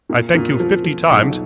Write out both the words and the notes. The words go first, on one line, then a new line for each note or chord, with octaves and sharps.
I thank you fifty times.
A#2
A#2
F3
F3
B1